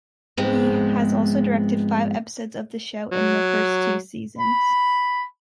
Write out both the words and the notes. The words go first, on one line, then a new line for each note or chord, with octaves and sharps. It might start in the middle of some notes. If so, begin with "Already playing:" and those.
He has also directed five episodes of the show in the first two seasons.
G#2 F3 G#3 B3 C4
F#3
B5